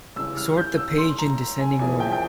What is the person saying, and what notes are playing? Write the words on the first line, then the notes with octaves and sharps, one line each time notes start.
Sort the page in descending order.
C#2 C#3 E3 G3 E6
F6
G6
E6
C6
A#5
G#5
E2 C#3 F3 A#3 E4 G#5
G5
G5